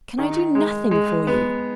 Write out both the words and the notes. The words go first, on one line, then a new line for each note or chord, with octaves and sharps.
Can I do nothing for you?'
D#3
G#3
G#3
B3